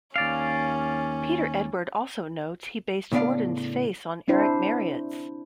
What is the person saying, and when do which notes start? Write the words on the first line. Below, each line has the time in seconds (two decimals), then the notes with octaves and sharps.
Peter Edwards also notes that he based Gordon's face on Eric Marriot's.
0.16 D#2 C#4 D5 F5
3.12 A2 C#3 B3 D4 D5 F5
4.28 C4 D4 E4 C5